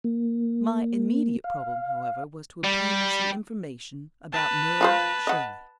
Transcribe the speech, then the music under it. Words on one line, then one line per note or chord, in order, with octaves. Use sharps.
My immediate problem, however, was to obtain some information about Merle Shirley.
A#3
F5
G3
B4 A5
F3 F4 C5
D#5 F#5